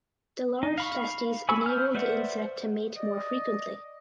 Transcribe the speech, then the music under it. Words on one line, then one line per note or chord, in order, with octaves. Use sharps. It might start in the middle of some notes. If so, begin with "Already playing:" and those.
The large testes enable the insect to mate more frequently.
D#4
F5 B5 C#6
G#5 B5 C#6 E6
C5 F6
B4 C5 D5 E5 F#5
D5 D#5